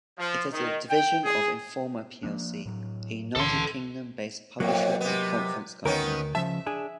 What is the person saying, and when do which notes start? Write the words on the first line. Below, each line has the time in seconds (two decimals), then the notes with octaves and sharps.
It is a division of Informa plc, a United Kingdom-based publisher and conference company.
0.18 F3
0.52 D#3
0.89 G5
1.24 G#4
2.23 F3 A#3 D4
2.66 A2 F#3
3.36 C#2 A#2 D3 A4 C6
4.60 F2 A2 F#3 A#3 F#4
5.00 C3 B3
5.85 D2 D#3 B3 C#4 A#4
6.35 C#3 F3 E5 A5
6.66 D4 G#4